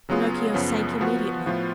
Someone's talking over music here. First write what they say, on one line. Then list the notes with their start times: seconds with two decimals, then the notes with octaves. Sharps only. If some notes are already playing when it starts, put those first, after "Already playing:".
Pinocchio sank immediately.
0.09 C#3 F#3 B3 F4 G#4
0.54 F#2 C#3 F3 B3
1.01 F3 B3 F#4
1.46 A2 F3 B3 F4